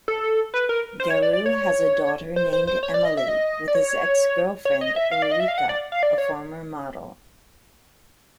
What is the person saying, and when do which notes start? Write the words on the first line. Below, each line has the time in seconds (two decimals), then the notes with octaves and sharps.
Garou has a daughter named Emelie, with his ex-girlfriend, Ulrika, a former model.
0.08 A4
0.54 B4
0.69 A#4
1.00 C5
1.10 C#5
1.22 D5
1.33 D5
1.46 C#5
2.36 C5
2.53 C5
2.67 C5
2.83 C#5
2.94 D5
3.05 D#5
3.17 E5
3.28 D#5
3.68 D5
3.75 C#5
4.65 C#5
4.81 D#5
4.96 E5
5.11 F5
5.22 D5
5.31 D#5
5.40 E5
5.48 F5
5.58 F#5
5.69 D5
5.92 F5
6.03 D5
6.18 C#5